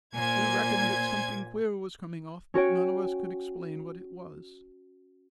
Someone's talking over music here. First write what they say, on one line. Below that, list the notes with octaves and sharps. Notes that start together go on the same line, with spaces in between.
We reckoned that something queer was coming off, but none of us could explain what it was.
A#2 C5 G#5 G#6
C#4 F#4 C#5 G5